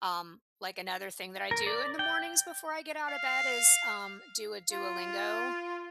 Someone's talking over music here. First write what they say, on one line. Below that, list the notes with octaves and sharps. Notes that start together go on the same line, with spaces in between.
um, like, another thing that I do in the mornings before I get out of bed is, um, do a Duolingo?
A#4
D5
G5
F5
F4